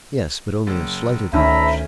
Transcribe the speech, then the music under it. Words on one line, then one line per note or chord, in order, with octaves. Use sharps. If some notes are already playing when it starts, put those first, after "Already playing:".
"Yes, but only a slight advantage."
F#1
D2 D#3 C#4 A4 E5 A#5 B5